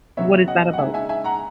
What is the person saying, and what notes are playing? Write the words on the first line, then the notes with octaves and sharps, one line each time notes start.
What is that about?
C#3 F#3 B3 C#5 E5
D#5 F#5
F#5
C#3 G#3 D#4 E5 G#5
E5 G#5
E5 G#5
F#5 A#5